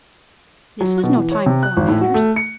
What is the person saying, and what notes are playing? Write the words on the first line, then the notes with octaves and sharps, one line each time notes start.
This was no time for manners.
F#3
B2
E3
C#5
C3
F#6
G#1
A2
F#4
A3
C#7